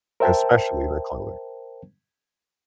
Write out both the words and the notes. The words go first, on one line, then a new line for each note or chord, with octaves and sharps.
especially the clothing.
A#4 C5 E5 G5 A5